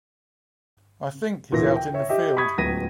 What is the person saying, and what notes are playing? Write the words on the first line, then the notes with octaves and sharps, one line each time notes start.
I think he's out in the field.
D2 A#2 E3 E4 A#6
G5
C#5 E5
G4 D#5 E5
B5 C#6 D#6 G#6 B6
D1 C#2 B3 A#6 B6 D#7